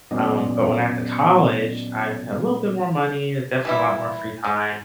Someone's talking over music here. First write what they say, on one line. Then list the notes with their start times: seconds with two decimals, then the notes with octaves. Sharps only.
Um, but when I got to college, I had a little bit more money, definitely a lot more free time,
0.11 A#2 F#3 B3 C#4 D5 D#5
3.65 E3 G3 E4
4.44 G#3